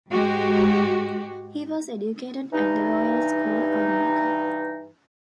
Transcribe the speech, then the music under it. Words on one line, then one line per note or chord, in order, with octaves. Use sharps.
He was educated at The Royal School, Armagh.
G#2 G#3 F#4 G4
G2 E3 D#4